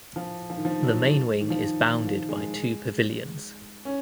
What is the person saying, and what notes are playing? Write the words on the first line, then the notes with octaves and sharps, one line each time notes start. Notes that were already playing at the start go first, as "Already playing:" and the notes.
The main wing is bounded by two pavilions.
F3
F3
D#3
F3
F#3
D#3
F3
D#3
F3
G#3
C#4